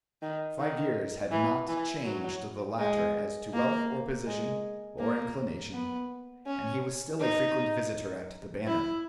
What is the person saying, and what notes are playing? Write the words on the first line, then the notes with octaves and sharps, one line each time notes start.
Five years had not changed the latter as to wealth or position or inclination, and he was still a frequent visitor at the Banner.
D#3
D#3
E3
E3
F#3
G#3
A#3
G#3
A#3
B3
C#4
D#4
E4